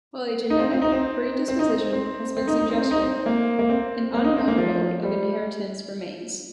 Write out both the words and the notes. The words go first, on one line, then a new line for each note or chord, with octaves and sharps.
While a genetic predisposition has been suggested, an unknown mode of inheritance remains.
D#4
C4
C4
D#4
C4
C4
D#4
C4
C4
C4
D#4
D#4
C4
C4
D#4
C4
A#3
A#3
C4
A#3
D#4
C4
A#3
F3
G3